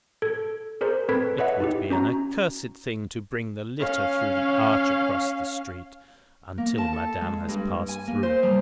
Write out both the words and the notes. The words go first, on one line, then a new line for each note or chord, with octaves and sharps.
It would be an accursed thing to bring the litter through the arch across the street, until Madame has passed through.
A4 G#6
G#4 A#4 C5 D5 A#5
C4 A4 B4 B5 G#6 B6
B4 C#5 D#5 E5 F#5
D#4 E4 G4
C#4 F#4 A#5
C#4 F5
A#3
A5
A4
G#3
G2
G#5
A#3
C5
G3